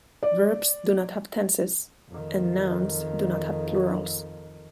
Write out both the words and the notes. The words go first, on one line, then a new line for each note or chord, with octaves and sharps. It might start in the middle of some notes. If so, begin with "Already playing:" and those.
Verbs do not have tenses, and nouns do not have plurals.
D5
F2 D#3